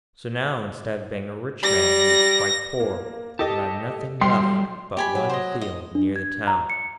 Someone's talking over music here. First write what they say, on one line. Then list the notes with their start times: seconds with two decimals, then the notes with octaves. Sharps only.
So now instead of being a rich man he was quite poor, and had nothing left but one field near the town.
1.63 G3 A#6
2.80 A#3
3.39 G4 A4 D#5 A5
4.21 F#3 G3 A4 G5 C6 C7
4.97 G4 G#5 B5
5.15 F#3
5.29 C5 D#5
5.61 D#5
5.95 D4
6.16 G#6
6.47 A#5
6.70 C#7